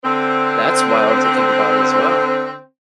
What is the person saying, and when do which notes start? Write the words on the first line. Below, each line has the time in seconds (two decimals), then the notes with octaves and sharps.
That's wild to think about as well.
0.04 D3 C4